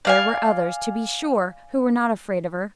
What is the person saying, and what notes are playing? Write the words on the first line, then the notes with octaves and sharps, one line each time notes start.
There were others, to be sure, who were not afraid of her.
D5 F5 G#5